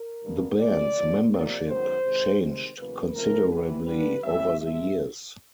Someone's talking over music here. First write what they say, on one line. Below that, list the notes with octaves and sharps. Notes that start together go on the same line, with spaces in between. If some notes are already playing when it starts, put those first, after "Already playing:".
The band's membership changed considerably over the years.
Already playing: A#4
G2 D3 G3 B3
C3 E3 G#3 D5
C#3 F3 A#3
C3 F3 A#3 D5
F#2 D#3 G#3 B3 C5
C3 D#3 G#3
C3 D#3 G#3 C4 C5
E2 C#3 F#3 A#3 B4
C#3 F3 A3 C4 A#4
E2 C3 E3 B4
G2 D3 G3 B4
A2 E3 G3 C4 E5
C3 F3 G#3 E5